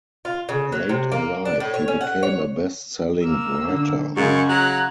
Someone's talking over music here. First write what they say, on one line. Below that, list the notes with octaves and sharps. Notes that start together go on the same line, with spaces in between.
Late in life, he became a best-selling writer.
F4
C#3
F#3
C3
A#3
D4
A2
C#5
C#4
F#5
C#5
A#3 E6
D3
F#2 C#3 G#3 C#6
F#3 A#5 F#6